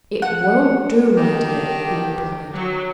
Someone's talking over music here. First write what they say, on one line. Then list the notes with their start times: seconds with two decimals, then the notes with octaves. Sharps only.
"It won't do, my dear," he replied.
0.22 F#5
1.16 D3 D#3 G4 G5
2.53 F#3